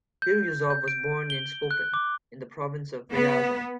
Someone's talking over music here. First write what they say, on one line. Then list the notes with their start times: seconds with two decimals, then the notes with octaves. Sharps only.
Biryuzov was born in Skopin, in the province of Ryazan.
0.22 G6
0.70 G6
0.88 D7
1.30 G7
1.71 F#6
1.94 D6
3.13 B3